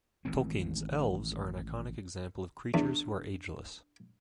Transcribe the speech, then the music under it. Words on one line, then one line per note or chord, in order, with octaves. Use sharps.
Tolkien's Elves are an iconic example of creatures who are ageless.
A1 D#3 G#3 C4
E2 D4